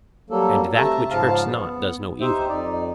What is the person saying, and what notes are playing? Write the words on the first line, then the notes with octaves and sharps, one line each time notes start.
And that which hurts not does no evil?
F#3 G3 A#3 A4
C3 A3 E5 A5 A#5
G#2 C#3 F3 F5 A5
B3
D#4 G4 C5 E5
F2 D#4 D5